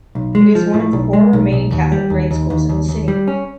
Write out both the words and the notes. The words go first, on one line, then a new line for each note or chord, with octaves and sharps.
It is one of the four remaining Catholic grade schools in the city.
B1
G#3
F3
A2
B1
G#3
B1
B1
D#2
G3
D#2
D#2
D#2
D#2
D#2
G3
C#4